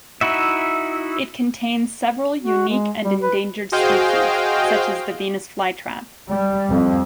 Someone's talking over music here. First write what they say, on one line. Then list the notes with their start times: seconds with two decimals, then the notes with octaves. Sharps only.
It contains several unique and endangered species, such as the venus flytrap.
0.21 D#4 E4 F#4 E5
2.41 F#4
2.69 G#3
3.04 G3
3.21 B4
3.72 F#4 G#4 C5 D#5 F5 G5
6.30 G3
6.70 F2